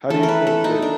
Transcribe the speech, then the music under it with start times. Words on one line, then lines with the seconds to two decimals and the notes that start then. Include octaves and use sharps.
How do you think that
0.10 E3 A3 A4
0.23 A#4
0.28 B4
0.47 A4
0.64 D#4
0.82 D4